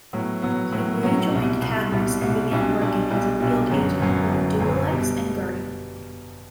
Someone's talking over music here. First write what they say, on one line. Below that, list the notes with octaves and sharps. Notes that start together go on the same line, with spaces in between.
He rejoined Cadmus and began working as a field agent with Dubbilex and Guardian.
A2 F#3 B3
A2 F#3 B3
A2 F#3 B3
A2 F#3 B3
C2 B2 G3
C2 B2 G3
C2 B2 G3
C2 B2 G3
B1 B2 G3 D4
B1 B2 G3 D4
B1 B2 G3 D4
B1 B2 G3 D4
G1 F#2 F#3
G1 F#2 F#3
G1 F#2 F#3
G1 F#2 F#3
B2 G3